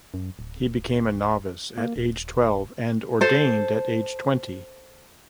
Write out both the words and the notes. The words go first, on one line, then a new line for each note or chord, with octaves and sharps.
He became a novice at age twelve, and ordained at age twenty.
F#2
D1
A#3
D#1
A4 C5